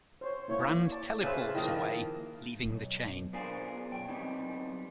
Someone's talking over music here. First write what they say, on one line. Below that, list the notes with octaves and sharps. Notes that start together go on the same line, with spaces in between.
Brand teleports away, leaving the chain.
C5 C#5
A#3 E4 C#5
D5 A5
C#3 B4 C5 E5 A5
D#3 F3 A#3 E4 D#5
B1
B3 D4 F4 G#4 A#4 C5
B1 F#2 G5
F#3 G3 B3 C4 D#4